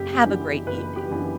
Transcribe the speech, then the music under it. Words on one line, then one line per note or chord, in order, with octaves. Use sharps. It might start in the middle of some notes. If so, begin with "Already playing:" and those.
Have a great evening.
Already playing: F#1 G4
F#2 E3 B3 D4
F#1 B4
G4
F#2 E3 B3 D4